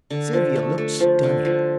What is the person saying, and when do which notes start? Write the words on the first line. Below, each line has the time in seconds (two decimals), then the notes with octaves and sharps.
Sylvia looked stunning.
0.10 D3
0.33 F3
0.55 A3
0.78 A3
1.00 F3
1.23 D3
1.45 F3